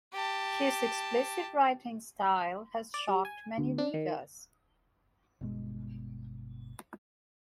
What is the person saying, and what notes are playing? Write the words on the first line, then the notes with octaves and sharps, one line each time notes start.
His explicit writing style has shocked many readers.
G4 A5
D5
G3
G#5
D2
D4
D#3
G1 B2 G#3